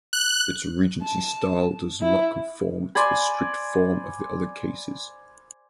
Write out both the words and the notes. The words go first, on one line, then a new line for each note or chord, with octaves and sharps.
Its Regency style does not conform to the strict form of the other cases.
F#6
A5
E4
C5 D5 G#5 B5